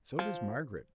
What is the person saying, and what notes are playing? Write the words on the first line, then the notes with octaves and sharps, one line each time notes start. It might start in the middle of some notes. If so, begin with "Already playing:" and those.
So does Margaret.
F3